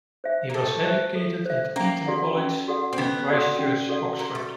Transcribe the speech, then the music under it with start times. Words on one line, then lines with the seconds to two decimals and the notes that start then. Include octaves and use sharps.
He was educated at Eton College and Christ Church, Oxford.
0.24 C5 E5
0.50 A#3
0.54 A3 A4
0.85 C5 E5
1.15 A4
1.46 C5 E5
1.76 A#3 C#4
2.06 F#4 A4 D5 F#5
2.37 C#4
2.68 F#4 A4 D5 F#5
2.93 C4
2.98 B3 C#4
3.28 F#4 A4 D5 F#5
3.58 C#4
3.89 F#4 A4 D5 F#5
4.19 A#3 F#4
4.35 A3